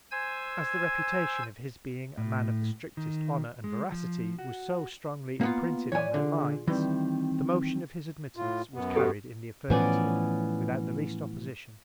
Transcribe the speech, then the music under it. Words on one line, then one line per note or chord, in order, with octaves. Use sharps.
As the Reputation of his being a Man of the strictest Honour and Veracity was so strongly imprinted on their Minds, the Motion of his Admittance was carried in the Affirmative, without the least Opposition.
C5 G#5 E6 G#6
A2
D#3
G#3
F3
F#4
A#3 B3 F4 F#5
E3 C#5 D5 G#5
D3 F4 G#4
D#3 E3 G3 C4
A2 F4
F#2 B3
F#4 G4 A4
A2 E3 F3 B3 C#4 D5